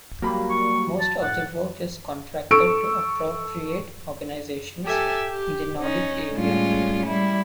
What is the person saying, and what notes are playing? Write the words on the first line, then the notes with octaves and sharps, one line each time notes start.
Most of the work is contracted to appropriate organisations in the Nordic area.
F#3 G3 A#3 B5
C#6
A5
A2 F#5 A6
A4 C#6 E6 D7
G4 A4 E5 G#5
G4
C#4 D#4
A2 G3 G#3 C#4 F4
G3 E4